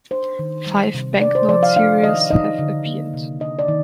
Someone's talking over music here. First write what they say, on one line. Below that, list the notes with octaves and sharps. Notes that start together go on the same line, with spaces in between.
Five banknote series have appeared.
D4 C5
D#3
G3
C3
D4 D5
C5
F3 D5
F5
D4 F5
D#3 D#5
D#4 D#5
D3
A#3
C3
D4 D#5
D5
D#3